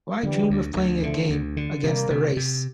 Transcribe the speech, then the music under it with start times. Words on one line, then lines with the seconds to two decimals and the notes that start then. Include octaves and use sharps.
Why dream of playing a game against the race?
0.23 D3 E3 G3
0.50 D2
0.76 D2
1.03 D3 F3 A3
1.30 D2
1.57 D3
1.83 C3 G3 A#3
2.10 C3
2.37 C3